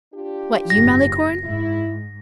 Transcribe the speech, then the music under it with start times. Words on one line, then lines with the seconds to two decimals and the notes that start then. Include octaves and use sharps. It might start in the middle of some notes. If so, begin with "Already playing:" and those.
"What, you, Malicorne?"
0.14 D4 F4 G4
0.70 F#1 G#2 A#6
1.44 G#2 E4